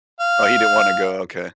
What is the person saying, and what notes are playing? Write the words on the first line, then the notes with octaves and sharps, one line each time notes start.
Oh, he didn't wanna go, okay.
F5